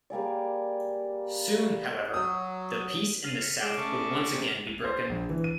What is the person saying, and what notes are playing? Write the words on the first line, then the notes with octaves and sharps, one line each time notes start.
Soon, however, the peace in the south would once again be broken.
G3 A#3 G#4 D5
F#3 D#6 E6
F6 C7 D#7
A#6 B6 C#7
G#3 D6 D7 E7
C#3 A3 D5 C#6
C3
F7
C5
A#1
E3
D#7